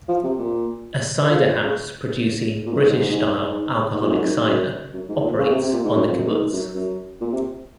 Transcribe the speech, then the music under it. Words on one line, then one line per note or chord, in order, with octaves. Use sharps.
A cider house producing British-style alcoholic cider operates on the kibbutz.
F3
C3
A#2
F3
F3
C#3
A#2
F#2
G#2
G#2
G#2
G#2
G#2
G#2
A#2
F#2
G#2
F#2
G#2
F#2
F#2
G#2
A#2
C#3
C3
C3
A#2
G#2
F#2
F2
F#2
G#2
F#2
F#2
A#2
C3